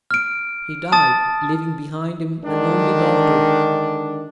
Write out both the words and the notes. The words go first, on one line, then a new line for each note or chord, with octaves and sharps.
He died, leaving behind him an only daughter.
F6 D7
A5 D#6 A6
D3 D#3 G#3 D4